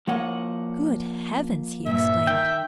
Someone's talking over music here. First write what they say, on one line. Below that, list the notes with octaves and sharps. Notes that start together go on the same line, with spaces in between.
"Good heavens!" he exclaimed.
F3 A#3 C#5 D#5 F#5
G2 A#2 E5
D#3 D#4 G5